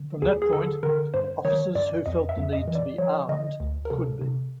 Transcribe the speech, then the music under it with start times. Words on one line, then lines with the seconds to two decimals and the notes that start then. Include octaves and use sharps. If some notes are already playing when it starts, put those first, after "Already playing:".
From that point, officers who felt the need to be armed, could be.
Already playing: D3
0.22 D#2 G#4
0.42 G#4
0.53 D3 A4
0.83 D3 A#4
1.14 G2 C5
1.45 D#3 C#5
1.75 G2 D5
2.06 F2 D#5
2.29 E5
2.37 F2
2.53 D#5
2.68 E3
2.75 D5
2.98 F3 C#5
3.29 D3 D#5
3.60 D2
3.85 A#4
3.90 C3 A4
4.21 C3